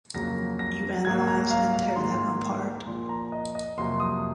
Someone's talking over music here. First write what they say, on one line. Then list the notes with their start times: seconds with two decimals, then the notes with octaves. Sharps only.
You analyze and tear them apart.
0.14 F2 C#3 F#3 A#3 A#6
0.59 A#6
1.05 G#2 F#3 A#3 G#6
1.27 A#5
1.51 F5
1.73 F5
1.96 G#2 D#3 A#3 C6
2.86 A#2 F3 A#3 C6
3.09 A#5
3.32 D#5
3.55 D#5
3.78 F2 C3 F#3 A#3 C6
4.00 D#6